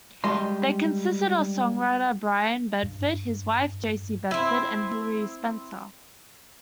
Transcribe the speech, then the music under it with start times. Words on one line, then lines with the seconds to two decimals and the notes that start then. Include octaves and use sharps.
They consisted of songwriter Brian Bedford, his wife Jacey Bedford, and Hilary Spencer.
0.24 G3 G#3 D#5 C6
2.83 G2
4.31 C4 E4